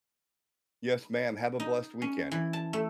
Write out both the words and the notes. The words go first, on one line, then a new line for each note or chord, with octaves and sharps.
Yes, ma'am, have a blessed weekend.
D#4
C#4
E3
A5
A3